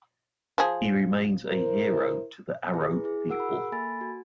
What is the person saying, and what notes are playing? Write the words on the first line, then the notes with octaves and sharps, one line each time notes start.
He remains a hero to the Aro people.
F3 G#4
E4 A#4 C5
E4 G#4 B4
E4 G#4
F#4 G#4 A#4 F#5 E6 D7
B5
A#3 A4 G#5 B5 A6 D7
F#4